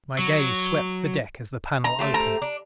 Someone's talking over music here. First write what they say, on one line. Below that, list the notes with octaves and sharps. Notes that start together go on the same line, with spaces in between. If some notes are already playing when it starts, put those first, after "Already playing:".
My gaze swept the deck as the panel opened.
F#3
A#5
A3 G4 C5
A#5
D4